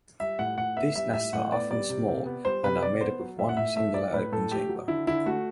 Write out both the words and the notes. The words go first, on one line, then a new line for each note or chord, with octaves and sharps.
These nests are often small and are made up of one singular open chamber.
G3 E5
A2 F#5
A2 F#5
B3 E5
G3 E5
A2 E5
A2 F#5
B3 D5
G3 D5
C3
C3
B3
G3 C5
C3 B4
C3 D5
B3 C5
F#3
A2 E5
F#5
A2 E5
A3 E5
F#3 D5
A2 B4
A2 A4
A3 G4
F#3
D3 E4
D3 E4
A3 F#4